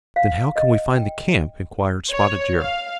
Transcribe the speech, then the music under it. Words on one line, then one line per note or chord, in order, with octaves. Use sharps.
"Then how can we find the camp?" inquired Spotted Deer.
F5
D#5
G5
C#5
F5